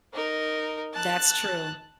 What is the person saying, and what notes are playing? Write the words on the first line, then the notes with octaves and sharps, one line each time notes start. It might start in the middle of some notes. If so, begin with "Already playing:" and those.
That's true.
D#4 A#4
A5 F#6